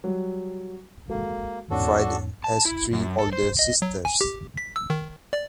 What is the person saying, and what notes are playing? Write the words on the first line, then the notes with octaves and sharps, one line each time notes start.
Friedl has three older sisters.
F#3 G3
G#3 A#3 F#4 A4
E2 G#2 C#4 D4 F#4 A4
A5
E4
F#2
A4
C5
D#5
F#3
G#5
G4
B6
E6
D#3
D5